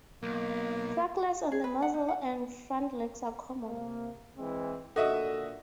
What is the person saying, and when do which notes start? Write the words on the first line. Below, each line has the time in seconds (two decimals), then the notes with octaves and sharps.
Freckles on the muzzle and front legs are common.
0.23 B1 A#3
1.52 G#4
1.64 B4
1.82 F#5
1.94 D#4
2.08 F#5
3.66 C3 A#3
4.38 E3 G#3 C4
4.96 A#2 D3 F#4 A4 D#5 E5